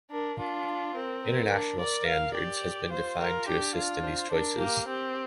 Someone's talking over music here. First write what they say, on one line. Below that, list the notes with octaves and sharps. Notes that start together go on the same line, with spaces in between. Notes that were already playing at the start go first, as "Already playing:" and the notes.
International standards has been defined to assist in these choices.
D4 A#4
D4 F4
C4 A#4
A#4
D4
A#4 D5
F5
G4 D5
F4 C5
A#4
D4 G4
F4
C5
D4 A#4
A#3 G4
C4 G4